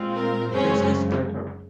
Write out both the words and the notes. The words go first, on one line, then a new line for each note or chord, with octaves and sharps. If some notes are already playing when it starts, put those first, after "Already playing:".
This is better.
Already playing: A#2 G#3 C4 F4
A#4
F#2 C#3 G#3 C4 C#4 C5